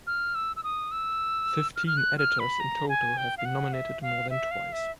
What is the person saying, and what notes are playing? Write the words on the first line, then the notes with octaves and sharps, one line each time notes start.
Fifteen editors in total have been nominated more than twice.
F6
E6
E6
D#6
E6
F6
F6
F#6
F6
B5
A#5
G#5
G5
F5
F#5
E5
F5
E5
F5
E5